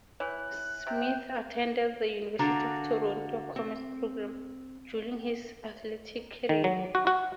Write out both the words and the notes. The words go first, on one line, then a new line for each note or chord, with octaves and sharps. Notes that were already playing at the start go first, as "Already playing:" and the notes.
Smith attended the University of Toronto Commerce program during his athletic career.
E3 C#5 F#6
C3 G5
D3 D4 F#4 F5 A#5
C4
D#3
F#3
F#4
F#4